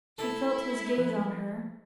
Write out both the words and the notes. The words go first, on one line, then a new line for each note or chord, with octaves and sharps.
She felt his gaze on her.
E4 A4 E5
F3 B4